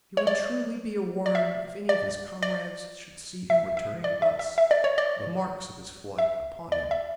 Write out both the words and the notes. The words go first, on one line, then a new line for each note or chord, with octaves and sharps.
He would truly be a worm if any of his comrades should see him returning thus, the marks of his flight upon him.
C#5
D5
D5
E5
D5
D5
E5
E5
D5
E5
E5
E5
D5
C#5
D5
E5
D5
E5